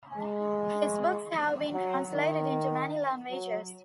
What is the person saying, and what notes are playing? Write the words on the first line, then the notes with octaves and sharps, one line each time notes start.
His books have been translated into many languages.
G#3
F#3
D#3
F#3